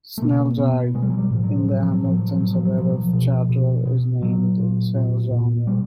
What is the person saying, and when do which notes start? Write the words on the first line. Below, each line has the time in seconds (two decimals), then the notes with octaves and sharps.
Snell Drive, in the Hamilton suburb of Chartwell, is named in Snell's honour.
0.18 A3
0.22 B2 A#3
0.58 B2 B3
0.94 B2 G#3
1.02 G3
1.10 F#3
1.17 G3
1.31 A2 F3
1.43 F#3
1.56 F3
1.68 A2 F#3
1.80 F3
1.92 F#3
2.04 A2 F3
2.17 F#3
2.29 F3
2.40 A2 F#3
2.53 F3
2.65 F#3
2.77 B2 F3
2.89 F#3
3.01 F3
3.13 B2
3.49 B2
3.85 B2
4.22 A#2 F#3
4.59 A#2
4.95 A#2
5.31 A#2
5.67 B2 G3